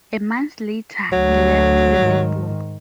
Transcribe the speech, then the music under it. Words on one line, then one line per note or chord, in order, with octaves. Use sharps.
A month later, he left the label.
D2 F#3
G#2 D#3